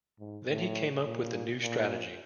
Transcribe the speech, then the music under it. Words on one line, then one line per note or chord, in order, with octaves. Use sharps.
Then he came up with a new strategy.
G#2
A2
A#2
A#2